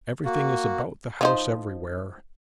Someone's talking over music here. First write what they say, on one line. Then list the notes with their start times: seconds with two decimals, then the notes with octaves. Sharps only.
Everything is about the house everywhere.
0.25 A#3 F#4
1.21 F3 D#4 C5